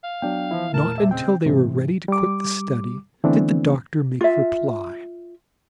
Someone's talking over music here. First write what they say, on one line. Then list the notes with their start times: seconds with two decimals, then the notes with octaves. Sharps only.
Not until they were ready to quit the study did the doctor make reply.
0.04 F5
0.22 F#3 B3 D4 G5
0.51 E3 F3 E4
0.74 E1 A#2 A3 A#4 A5
0.98 C3 E5
1.11 C#3 G#3 C4 G5
1.45 G#2 C3 E3
2.08 G3 D6
3.24 D3 E3 A3 B3 C4 D4
4.21 F4 E5